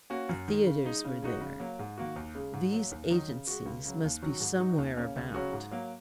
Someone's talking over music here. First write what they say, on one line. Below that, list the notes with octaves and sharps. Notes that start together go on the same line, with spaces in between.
The theatres were there--these agencies must be somewhere about.
A#3 C#4 F#4
F#2
D#3 G#3
C#3
G#3 D#4
C#3
G#3 D#4 F#4
C#3
F#3 A#3
G#2
D#3 A#3 F#4
D#2
C#3 G#3
G#2
F#3 A#3
D#2
D#3 F#3 D#4
C#3
G#3 F#4
C#2
C#3 F#3
D#2
D#3 F#3 C#4 F#4
G#2
F#3 D#4 F#4
D#2
C#3 A#3 C#4
C#2
C#3 F#3 C#4 F#4
G#2
F#3 A#3